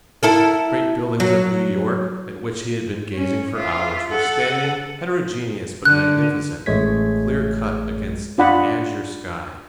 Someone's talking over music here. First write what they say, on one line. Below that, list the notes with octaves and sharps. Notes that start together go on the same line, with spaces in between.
The great buildings of New York, at which he had been gazing for hours, were standing, heterogeneous but magnificent, clear-cut against an azure sky.
E4 A4 A#4
F#3
C#4
F4 E5
A4 F#5
D3 F#6
A1 G#3 A3 C#5 G#6 B6
D4 F4 D5 D#5 F#5 B5